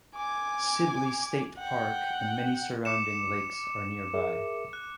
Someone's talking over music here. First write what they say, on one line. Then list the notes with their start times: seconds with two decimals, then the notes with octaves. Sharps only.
Sibley State Park and many surrounding lakes are nearby.
0.15 G#5 D6
1.58 F#5 G5
2.85 D6 C#7 E7
4.14 G#4 A#4 E5
4.73 F#6